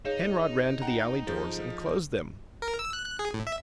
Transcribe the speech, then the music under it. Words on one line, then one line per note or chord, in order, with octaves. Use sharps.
Penrod ran to the alley doors and closed them.
D#4 G#4 C#5 F5 E7
F#5 G5 A#5
F3 G#4 A4 G6
A#4
E6
F#6
F#6
G#4
A2
E5